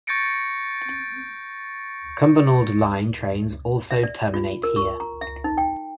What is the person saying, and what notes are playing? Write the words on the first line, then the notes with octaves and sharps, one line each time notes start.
Cumbernauld Line trains also terminate here.
C#6 G6 A6 A#6 C#7 D7
E5
D5
F4
A#4
C#6
A#5
E5
D#4
G5